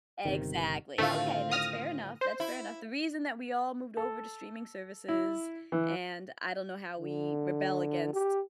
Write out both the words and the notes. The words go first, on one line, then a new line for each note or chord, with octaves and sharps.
Exactly. Okay, that's fair enough, that's fair enough. The reason that we all moved over to streaming services, and I don't know how we rebel against
G1 C3 D#3
A2 D3 D#3 A3 C4 F4
D#6 F6 A#6
C5
E4
A4
E4
E3
D3
G4